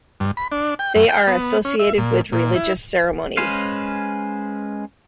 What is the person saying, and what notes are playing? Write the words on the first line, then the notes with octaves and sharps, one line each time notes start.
They are associated with religious ceremonies.
G2
B5
D4
G5
F#2
G5
B3
C#4
E5
A#2
A#2
E4
G#3 C#4 B4 C5 F5